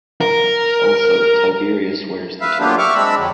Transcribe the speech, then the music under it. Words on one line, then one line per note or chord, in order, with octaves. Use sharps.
Also, Tiberius wears the "toga".
A#4
B4 E5 F5
F#3 A#3 B3 D4 F4 G4
E5 C#6 D6 F6
G#3 C4 D4 B5 E6
F2 D3 F#3